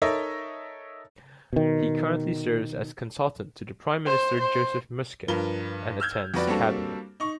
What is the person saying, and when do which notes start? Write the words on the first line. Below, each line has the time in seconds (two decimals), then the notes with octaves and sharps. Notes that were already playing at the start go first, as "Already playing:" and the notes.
He currently serves as consultant to the Prime Minister Joseph Muscat and attends Cabinet.
0.02 D#4 A4 A#4 C#5 D#5 E5
1.53 B2 D#3
4.07 C5
4.40 C5
5.28 G2 F3 A#4 B4 G7
6.00 E6 F6 G6 G#6
6.34 F2 F#4 B4 D5
6.47 G3 A#3 C4 D4 F#4 A4
7.20 D#4 C#6